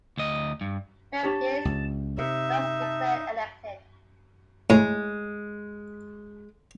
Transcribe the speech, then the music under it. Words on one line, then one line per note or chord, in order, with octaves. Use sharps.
Meredith was thus declared elected.
D2 D#5
G2
D4 G4 C#5 A5
C#2
C3 D#4 E5
A5
A2 G#3